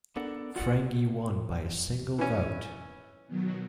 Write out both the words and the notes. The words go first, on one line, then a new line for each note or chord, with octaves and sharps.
Frangieh won by a single vote.
B3 D4 A4 A#4 F#5
F4 F#4 D5 F#5
E3 C#4
B2 D#3 F#3